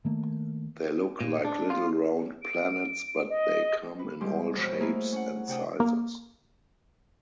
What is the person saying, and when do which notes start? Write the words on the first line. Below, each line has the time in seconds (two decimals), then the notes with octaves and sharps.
They look like little round planets but they come in all shapes and sizes.
0.05 D#3 A3 A#3
1.21 A#2
1.45 D4
1.70 F4
2.42 D7
3.29 D#5
3.99 B4
4.21 B2 G3 G#3 G4 C6
4.56 F2 B2 G#3 C5 C#5
4.80 A3 A#3 E4 G#4 A#4 F5
5.12 C#4 F#5
5.47 C3 D4 F#5 G5 D#6
5.80 A#3